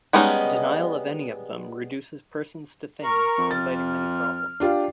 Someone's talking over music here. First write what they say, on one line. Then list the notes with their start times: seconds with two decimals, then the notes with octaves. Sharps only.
Denial of any of them reduces persons to things, inviting many problems.
0.13 G3 G#3 B3 C#4 D#4
3.01 A#4 C#6
3.38 F2
3.51 F6 A6
4.60 D4 F4 G4